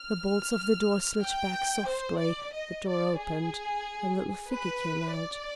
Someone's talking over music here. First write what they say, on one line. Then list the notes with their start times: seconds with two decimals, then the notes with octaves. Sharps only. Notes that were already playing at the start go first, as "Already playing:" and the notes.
The bolts of the door slid back softly; the door opened; a little figure came out.
Already playing: F6
1.22 G5
1.87 C5
2.20 D5
2.53 D#5
2.86 D5
3.19 G#4
4.50 B4
5.16 D5